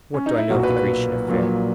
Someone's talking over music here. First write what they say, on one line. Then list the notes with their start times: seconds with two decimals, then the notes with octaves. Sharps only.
What do I know of the Grecian affair?
0.14 C#4
0.26 D#4
0.38 E4
0.49 B1 A#2 F#3 F#4
0.63 B4
0.77 B4
1.28 A#1 A#2 F#3